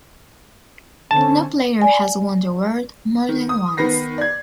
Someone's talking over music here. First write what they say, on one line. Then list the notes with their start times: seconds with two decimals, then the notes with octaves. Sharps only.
No player has won the award more than once.
1.11 D3 C4 C#4 A5
1.82 D5 G#5
3.29 D#3
3.49 D#6
3.77 D#3 B3 B4 A#6 C7
4.18 D5 G#6